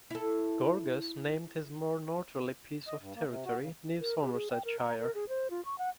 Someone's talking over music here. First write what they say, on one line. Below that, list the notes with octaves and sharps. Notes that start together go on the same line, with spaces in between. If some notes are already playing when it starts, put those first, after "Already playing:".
Gorges named his more northerly piece of territory New Somersetshire.
E4 A4
D#5
G2
A#3
C3
F#4
C#3
A#4
G4
G#4
G5
A#4
A#5
A#4
G#4
C5
F4
C#6
F#5